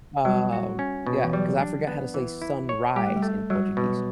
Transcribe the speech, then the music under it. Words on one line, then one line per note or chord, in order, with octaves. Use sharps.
Um, yeah, 'cause I forgot how to say "sunrise" in Portuguese.
F#3 G3
F#4
C#4
B2
E3
F#3 G3
D4
B3
E3
E4
C#5
G3 G4
A3
G3
A3
F#3 G3
B2 G3